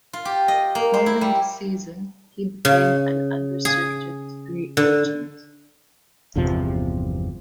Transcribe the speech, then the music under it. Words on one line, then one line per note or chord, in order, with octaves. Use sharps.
Following the season, he became an unrestricted free agent.
F4
G4
D#5
A#3
C5
E4
G3
C#3
G#4
D3
G1 E2 C3 F3